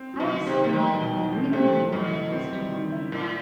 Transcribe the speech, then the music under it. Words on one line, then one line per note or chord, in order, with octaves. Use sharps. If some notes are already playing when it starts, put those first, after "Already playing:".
I abstained from breathing a word of this to Romayne.
Already playing: C4
F#3
B2
D#3
C3
D#3
C3
D#3 G3
B2
E2
C4
C3 A3
E3
F#2 B2
E4
C4
G3
D#3
E4
A2 E4